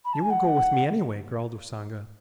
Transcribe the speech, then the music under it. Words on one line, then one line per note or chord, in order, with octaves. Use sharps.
"You will go with me anyway," growled Usanga.
B5
A5
G#5
F#5